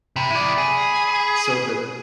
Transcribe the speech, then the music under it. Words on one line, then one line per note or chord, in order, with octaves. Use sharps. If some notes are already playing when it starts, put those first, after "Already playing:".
so the
C3 B5
E4 D5
G#4